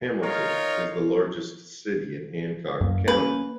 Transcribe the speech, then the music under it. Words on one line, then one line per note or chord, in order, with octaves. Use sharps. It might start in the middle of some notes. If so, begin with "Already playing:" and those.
Hamilton is the largest city in Hancock County.
D#4 F4 A#4 C#5
F#2 A#3
A#3 C#4 B4